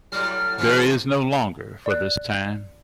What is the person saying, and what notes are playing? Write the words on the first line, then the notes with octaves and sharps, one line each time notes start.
There is no longer for this time.
A2 F#3 G3 F6
G#2 C3 E3
D5 F#6